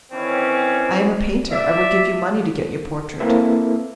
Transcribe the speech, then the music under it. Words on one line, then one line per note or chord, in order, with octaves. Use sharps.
"I am a painter: I would give you money to get your portrait."
D#3 E3 C4 C#4
D5 E5
A#3 C4 E4 A4 B4 E5